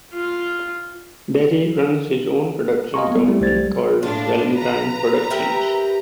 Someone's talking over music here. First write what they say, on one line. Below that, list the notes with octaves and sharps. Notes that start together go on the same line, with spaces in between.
Berry runs his own production company called Valentine Productions.
F4
D#5 F5 G#5 A#5 C6 C#6
G3 B3
G3 A3 C4 E4
C2 G3 A3 C5 G#6 A6
A2 D4 F4
B4 A#5
G4 A#4 E5